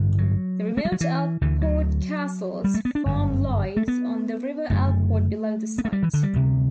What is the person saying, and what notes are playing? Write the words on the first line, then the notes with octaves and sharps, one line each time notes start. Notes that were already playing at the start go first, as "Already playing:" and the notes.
The remote Alport Castles Farm lies on the River Alport below the site.
Already playing: A1 G2 D3
F#3
A3
G3
F#3
E3
D2 D3 E3
F#3
G3
A3
B3
D4
G1 F#2 D3
A3
B3
F#1 F#2 D3 A3
B3
A3
G3
E3
D3
G3
D2 C3